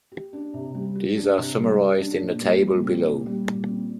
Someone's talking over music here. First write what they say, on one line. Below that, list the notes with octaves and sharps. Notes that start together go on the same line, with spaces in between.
These are summarised in the table below.
G4
D4
C3
G3
G4
D4
C3
G3
G4
D4
A#2
G3
A#2
C4
A#2
G3
A#2
C4